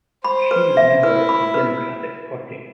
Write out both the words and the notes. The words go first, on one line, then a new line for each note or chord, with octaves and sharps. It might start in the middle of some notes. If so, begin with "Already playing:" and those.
She was a member of the Democratic Party.
C5 B5
B4
E5
E4 B4
B5
B4